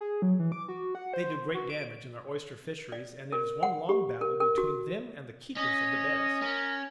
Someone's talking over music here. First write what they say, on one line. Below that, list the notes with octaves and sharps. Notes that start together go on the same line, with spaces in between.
They do great damage in our oyster-fisheries, and it is one long battle between them and the keepers of the "beds."
G#4
F#3
E3
D6
F#4
F#5
C5
F#4
D7
D5
A#4
F#5
G4
A#4
A#4
F#4
C#4 D#5
C#4 A#4